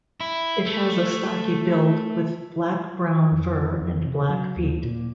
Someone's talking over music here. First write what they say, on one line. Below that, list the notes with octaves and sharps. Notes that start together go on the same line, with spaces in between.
It has a stocky build with black-brown fur and black feet.
E4
A3
F2
F2
C3
F#3
D#2
A#2